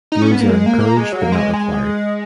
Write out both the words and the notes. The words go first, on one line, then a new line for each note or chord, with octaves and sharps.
Beards are encouraged but not required.
D#4
C#4
B3
A#3
G#3
A#3
A#3
G#3
F#3
A#3
G#3
G#3